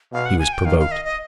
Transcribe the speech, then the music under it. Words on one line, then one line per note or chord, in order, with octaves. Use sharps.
He was provoked.
B2 F5
F#5
G#5
G5
D#3 F5
F5
D#5
D#5